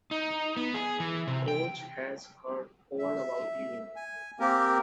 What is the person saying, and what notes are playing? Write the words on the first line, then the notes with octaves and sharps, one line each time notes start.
Coach has heard all about you.
D#4
B3
G#4
E3
C3
G5
E5
G#5
A#3 C4 G4 A#4